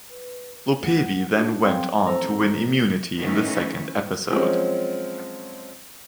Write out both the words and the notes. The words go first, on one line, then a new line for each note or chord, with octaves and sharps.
Lopevi then went on to win immunity in the second episode.
B4
D2 F#5
A#3 D4 D#4 F4 F#4
C4 A4 F5 G#5 C6
A1 C4 A4 A#5
D#3 E3 A3 B3 C#4
F3 F#3 G#3 C4 C#4